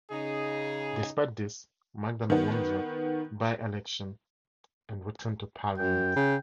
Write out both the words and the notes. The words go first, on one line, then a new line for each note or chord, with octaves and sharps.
Despite this MacDonald won the by-election and returned to Parliament.
C#3 D#4 G#4
D#3 B3
F#2 G5
C#3